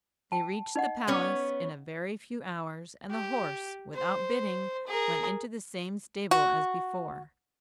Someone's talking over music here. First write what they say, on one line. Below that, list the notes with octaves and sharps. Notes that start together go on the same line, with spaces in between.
They reached the palace in a very few hours, and the horse, without bidding, went into the same stable as before.
G5 A5
D#4 D#5 F#5
B3 C#4 C#5
G4
C5
G#4 A#4
F#4